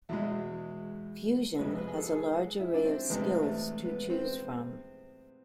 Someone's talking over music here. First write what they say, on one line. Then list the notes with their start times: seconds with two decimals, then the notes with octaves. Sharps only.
"Fuzion" has a large array of Skills to choose from.
0.09 E2 B2 G#3 E4
1.59 F2 C3 G#3 B4
1.78 B4
1.88 G#4
1.97 A4
2.15 G#4
2.60 E4
2.74 D4
2.84 C4
3.10 E2 C3 G#3 B3
3.20 A3
3.43 A3
3.85 B3
4.10 C4